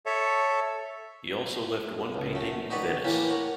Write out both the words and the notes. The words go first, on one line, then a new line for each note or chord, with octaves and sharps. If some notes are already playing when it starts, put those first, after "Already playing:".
He also left one painting in Venice.
A4 C#5 E5
C#2
F#2 A3
D#4 F#4 G4 B4 C#5 D5
A2 E3 A#3 G4
A#4 C#5 F#5